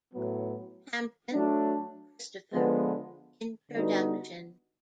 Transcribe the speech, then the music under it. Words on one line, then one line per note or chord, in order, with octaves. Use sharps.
Hampton, Christopher: Introduction.
A2 F#3 B3
F#3 A3 D4
D3 F3 G#3 B3
D3 G3 B3 D#4 F#4